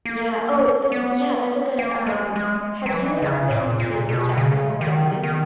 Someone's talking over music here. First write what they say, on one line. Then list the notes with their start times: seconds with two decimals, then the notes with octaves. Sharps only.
Yeah oh, this yeah, that's a good, um have you ever been to Jackson Hole, Wyoming?
0.05 A#3
0.92 B3
1.79 A#3
2.06 G#3
2.36 G#3
2.86 F#3
2.93 E3
3.22 C#3
3.51 A#2
3.80 A#2
4.09 B2
4.38 C#3
4.81 D#3
5.23 D#3